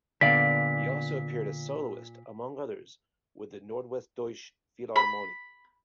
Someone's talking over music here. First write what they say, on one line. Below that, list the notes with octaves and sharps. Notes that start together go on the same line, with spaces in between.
He also appeared as soloist among others with the Nordwestdeutsche Philharmonie.
A#2 D3 B3 D5 F5 B6
B5